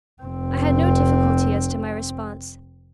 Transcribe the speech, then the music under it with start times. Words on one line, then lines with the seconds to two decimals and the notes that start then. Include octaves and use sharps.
I had no difficulty as to my response.
0.22 F1 C4